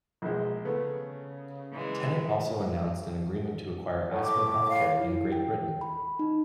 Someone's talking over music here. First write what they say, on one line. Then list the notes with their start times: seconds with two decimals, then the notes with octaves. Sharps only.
Tenet also announced an agreement to acquire Aspen Healthcare in Great Britain.
0.22 A#1 B2 G#3
0.65 C#3 A3 B3
1.72 E3 G#3
4.11 A2
4.23 D6
4.69 F5
5.00 E4
5.32 G5
5.81 B5
6.19 D#4